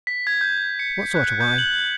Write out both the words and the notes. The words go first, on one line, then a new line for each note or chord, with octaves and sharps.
"What sort of wine?"
B6
G#6
G6
C#7
F#6
G6
F#7